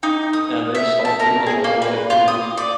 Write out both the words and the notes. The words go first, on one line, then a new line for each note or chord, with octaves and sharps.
And they've stunk pretty much my whole life too.
D#4
D#6
E5
A5
A#4
G#4
A#3
B4
F4
D#6
D5